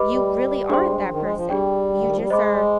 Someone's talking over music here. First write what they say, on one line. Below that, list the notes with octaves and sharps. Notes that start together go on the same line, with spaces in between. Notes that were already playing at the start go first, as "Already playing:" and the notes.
you really aren't that person. You just are
Already playing: G4 B4 D#5 B5 D6
G3
D4 G#4 C5 G5 C6
G#3
G3
F3
D#3
G#3
F3
G3 D4 G#4 D5 G5
D3
D#3
F3
G3
G#3 C5 D#5 B5 D6